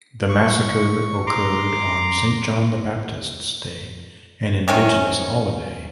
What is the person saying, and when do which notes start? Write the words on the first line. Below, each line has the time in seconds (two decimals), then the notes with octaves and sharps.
The massacre occurred on Saint John the Baptist's Day, an indigenous holiday.
0.29 C#6
1.27 A#5 C6 D6
4.68 C3 D#3 C#4